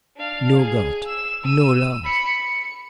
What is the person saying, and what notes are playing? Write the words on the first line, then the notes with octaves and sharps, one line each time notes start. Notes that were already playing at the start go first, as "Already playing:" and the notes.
No God! no Love!
D4 F5
G#4
E6 E7
E6 D#7
B5 C#7
C#7